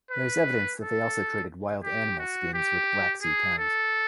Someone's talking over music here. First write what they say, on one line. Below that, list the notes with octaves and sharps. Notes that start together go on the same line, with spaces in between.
There is evidence they also traded wild animal skins with Black Sea towns.
B4
A4
G4
F#4
G4
G#4
A4